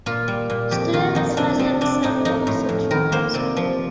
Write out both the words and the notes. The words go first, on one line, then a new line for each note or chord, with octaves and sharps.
Students attend Sanborn Central High School.
A#2 F4
G3
A#2
F2 G4
D#3 F4
F2 D#4
C3 D4
F3 C4
C3 D4
A2 D#4
F3 D#4
A2
F2
D#3 A#4
A#3 C5
C3 D5
F3